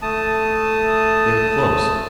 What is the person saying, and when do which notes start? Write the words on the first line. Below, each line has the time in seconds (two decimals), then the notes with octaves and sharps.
They are close.
0.02 A3 A5 D#6